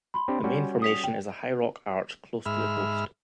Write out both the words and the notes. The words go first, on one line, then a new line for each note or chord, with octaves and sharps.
The main formation is a high rock arch close to the coast.
B5 C6
C4 D4 G4
G3 C#4 F#4
D#6 B6 F7
G5
G#2 E5 B5 F6